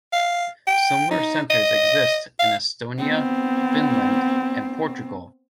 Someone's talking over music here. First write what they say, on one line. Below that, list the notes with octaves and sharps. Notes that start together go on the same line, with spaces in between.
Similar centers exist in Estonia, Finland, and Portugal.
F5
G5
D#4
D#5
F5
B3 C4